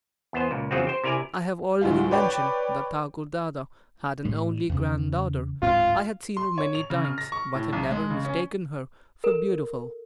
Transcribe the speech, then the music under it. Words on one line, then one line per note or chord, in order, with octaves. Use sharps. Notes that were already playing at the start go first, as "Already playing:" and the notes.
I have already mentioned that Thakur Dada had an only grand-daughter. I had seen her many times, but had never mistaken her for beautiful.
E2 B3 C5
C#2 A#2
E2 C#3 F3 F#3 C4
C5 G5
C3 E4 A#4 D5 G#5
D2 A2 G#3 F4
B4 C#5 D5 G5
A2 G3
E2 C#3
D1 G#2 C4 F4
C6
C#5
F7
C#3
F6
A#6
C#6
A2
B1
G#3
C#3
C#4
A4 A#4